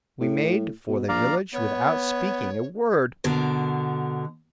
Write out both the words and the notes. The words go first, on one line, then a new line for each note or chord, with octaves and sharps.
We made for the village without speaking a word....
A2
B2
A#1 D5 F5 A#5
B3 C#5
B2 D3 A#4